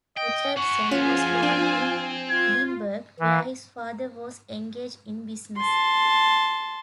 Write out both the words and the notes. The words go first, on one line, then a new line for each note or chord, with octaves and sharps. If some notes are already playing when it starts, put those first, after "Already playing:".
Orchardson was born in Edinburgh, where his father was engaged in business.
D#5 G5
G#4 F#5 C#6
F3 C#4 F4 G#5
C4 D4
F4 G#6
E3
A5 C6